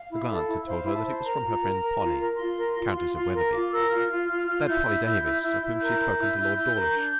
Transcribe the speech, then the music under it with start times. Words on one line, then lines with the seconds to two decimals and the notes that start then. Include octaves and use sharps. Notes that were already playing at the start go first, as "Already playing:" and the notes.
A glance had told her that it was from her friend Polly, Countess of Wetherby: that Polly Davis of whom she had spoken to Lord Dawlish.
Already playing: F5
0.10 E4
0.29 A4
0.48 E4
0.66 C5 F5
0.85 E4
0.95 A5
1.04 C5
1.23 A#4 A#5
1.43 F4
1.62 A#4
1.81 A#4
2.01 F4
2.20 A#4
2.38 F4 C6
2.57 A#4
2.77 F4
2.95 F4
3.14 F4
3.34 A#4
3.52 F4 D6
3.71 A#4 E6
3.90 F4 F6
4.09 F4
4.28 F4
4.47 F4
4.67 E4 G6
4.86 E4
5.04 E4
5.23 E4
5.43 E4
5.61 E4
5.80 A#4 G6
6.00 A#4
6.19 E4
6.37 E4
6.56 E4
6.76 A#4
6.95 D4